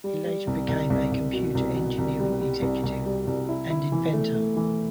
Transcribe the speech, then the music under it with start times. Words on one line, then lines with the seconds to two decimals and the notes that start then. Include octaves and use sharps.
He later became a computer engineering executive and inventor.
0.04 G3
0.25 G3
0.47 C2
0.68 C2
0.90 C2
1.12 C2
1.33 B2
1.55 C2
1.76 B2
1.98 C2
2.19 G3
2.41 G3
2.62 C2
2.83 C2
3.06 G3
3.27 C2
3.49 E4
3.70 E4
3.92 E3
4.13 A3
4.34 A3
4.56 E3